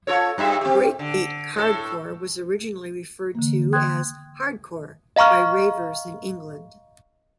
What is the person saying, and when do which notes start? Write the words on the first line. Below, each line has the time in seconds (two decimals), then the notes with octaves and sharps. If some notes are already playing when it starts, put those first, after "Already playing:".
Breakbeat hardcore was originally referred to as "hardcore" by ravers in England.
0.07 F4 A4 C#5
0.38 G2 G3 E5
0.61 C4 G4
0.99 D3
1.56 A2 A4
3.35 D3 E3 A#3
3.73 G5 C6 D#6 F#6 G#6
5.16 D#5 F5 A#5 C#6 F6